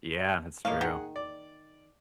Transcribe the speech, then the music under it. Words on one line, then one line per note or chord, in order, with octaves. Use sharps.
Yeah, that's true.
A2 A#3 D#5 F5
D#3 G#4 F#5
D5